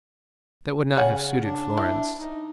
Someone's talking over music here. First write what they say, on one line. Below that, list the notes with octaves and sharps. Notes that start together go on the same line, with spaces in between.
That would not have suited Florence.
C#3 C#4 F#5 G#5
D4
E4
D#4